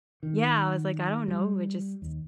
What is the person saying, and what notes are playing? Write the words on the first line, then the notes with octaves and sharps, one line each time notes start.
yeah, I was like, "I don't know, I just
D#3
G3
D#2